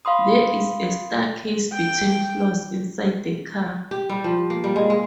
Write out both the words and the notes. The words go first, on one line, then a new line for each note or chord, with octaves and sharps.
There is a staircase between floors inside the car.
F5 B5 C6 D#6
G5
G4
G3
F3
A#3
G3
G#3
G#3